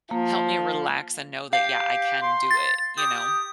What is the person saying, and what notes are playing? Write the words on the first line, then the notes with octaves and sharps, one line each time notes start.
help me relax and know that, yeah, I can do it. You know?
F3 A#3
G4 F5
C6
A6
G4 D#6